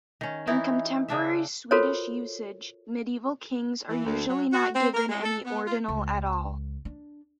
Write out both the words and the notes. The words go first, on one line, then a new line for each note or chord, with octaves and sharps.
In contemporary Swedish usage, medieval kings are usually not given any ordinal at all.
D#3 C#4
E3 D#4 E4
C#3 D4 E5
F4 F#4 A4 A#4 C5 C#5
E3
D2
F#3
F#4
C4
A#4
G#3
A4
B3
F4
C#2
D4